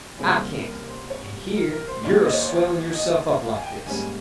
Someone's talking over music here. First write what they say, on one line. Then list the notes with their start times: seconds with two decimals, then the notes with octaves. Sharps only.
I can't; and here you're a-swelling yourself up like this.
0.19 C2 C3 G3 A#3 C#4 G#4
0.34 C5
0.42 A#4
0.65 A#4
0.88 C5
1.10 C#5
1.57 A#4
1.72 A#4
1.88 C5
2.03 D#2 D#3 A#3
2.26 D#5
2.34 C#5
2.41 C5
2.49 C#5
2.95 D#5
3.40 F5
3.55 G#5
3.62 G5
3.86 G#2 G3 A#3 C#4 G#5